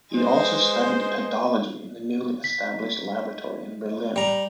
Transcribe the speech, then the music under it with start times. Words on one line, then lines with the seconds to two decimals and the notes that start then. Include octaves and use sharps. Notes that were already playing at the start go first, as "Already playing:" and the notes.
He also studied pedology in the newly established laboratory in Berlin.
0.15 G#3 B4 C5
2.44 B6
4.16 G3 A#5